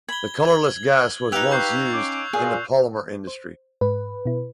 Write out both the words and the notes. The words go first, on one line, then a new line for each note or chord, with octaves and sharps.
The colourless gas was once used in the polymer industry.
B5 G#6 G7
G#6 F#7
D#4 G4 B4 F5 G5 E6 F#6 F7
C#6 G6 C7
C#4 D6
A#2 G#4 F5
C5
G#2 B4
B2 E4